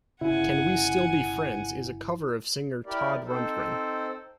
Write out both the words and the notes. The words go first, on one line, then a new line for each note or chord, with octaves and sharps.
"Can We Still Be Friends" is a cover of singer Todd Rundgren.
G1 C#3 E4 F#5 G#5
E4 G4 A#4 D5
C4 D#4 A4 C5